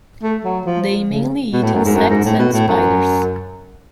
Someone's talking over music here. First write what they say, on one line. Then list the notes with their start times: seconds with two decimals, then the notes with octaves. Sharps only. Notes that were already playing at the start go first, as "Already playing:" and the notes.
They mainly eat insects and spiders.
0.23 A3
0.44 F#3
0.66 F3
0.87 F3
1.09 C#3
1.53 B2
1.63 A2
1.74 F#2
1.85 G#2
1.96 F#2
2.10 G#2
2.25 A2
2.39 B2
2.53 A2
2.68 F#2